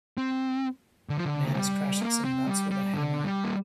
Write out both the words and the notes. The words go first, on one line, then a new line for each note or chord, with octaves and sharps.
Man is crashing some nuts with a hammer.
C4
D3
F3
D3
A#3
G3
A#3
C4
G3
G3
D3
G3
A#3